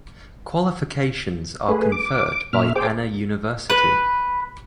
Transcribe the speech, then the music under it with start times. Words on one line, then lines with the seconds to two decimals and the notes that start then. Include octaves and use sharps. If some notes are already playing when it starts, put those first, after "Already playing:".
Qualifications are conferred by Anna University.
1.69 A3 G#4 B4
1.92 D6
2.53 A#2 E5 F6
2.75 G#4 C5 G5 D6
3.70 B4